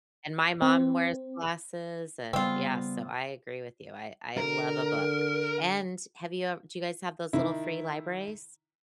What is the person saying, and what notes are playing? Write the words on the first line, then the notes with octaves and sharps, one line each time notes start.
And my mom wears glasses and Yeah, so I agree with you. I I love a book, and have you ev Do you guys have those little free libraries?
C4
C#3 G3 B3 C4 F4
D3 A#4
D#3 E4